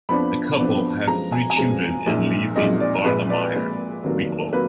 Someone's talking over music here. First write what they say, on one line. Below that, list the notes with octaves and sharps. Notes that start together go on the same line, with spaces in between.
The couple have three children and live in Barnamire, Wicklow.
F2 F3 B3 D4 B5
F2 F3 B3 D4
F#2 F3 G#3 A#5
G#5
G#5
F#2 F3 G#3 A#5
A#1 A#2 G#3 D#4
A#1 A#2 G#3 D#4 D#5
D5
A#1 A#2 G#3 B4
D5
A#1 A#2 G#3
F1 D#2 D#3 F#3 A#3
F#3 A#3 B4